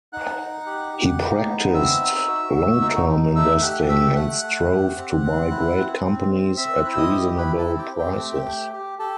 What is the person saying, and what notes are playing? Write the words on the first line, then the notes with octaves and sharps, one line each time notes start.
He practiced long-term investing, and strove to buy great companies at reasonable prices.
D#4 F#5 F#6
D#4
G4
G4
D#4
B3
C4 E5 E6
D#4
F#4
F#4
D#4
D#4
A3 E5 E6
G4 F#5 F#6
A3 E5 E6
A3 F#5 F#6
A3
G4
C4
C4
E4
C4
C4
C4
C4 E5 E6
F#6
E4 E6
D#5 D#6
G4
E4 B4 B5
A4 A5
C4
G4 G5
C4
G4 G5
A3
A3
G4
G4 A4 A5